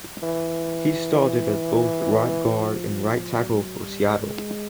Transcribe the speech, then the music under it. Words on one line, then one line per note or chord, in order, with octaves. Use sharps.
He started at both right guard and right tackle for Seattle.
E3
F3
F#3
G3
G#3